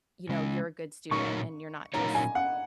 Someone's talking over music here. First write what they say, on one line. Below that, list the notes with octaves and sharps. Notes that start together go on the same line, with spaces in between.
you know, you're a good student, and you're not just"
C#3 G#3 C#4
A#2 F#3 D#4 A#4 C#5 C#6
A#2 F#3 D#4 A#4 C#5 A#5
G#5
F#5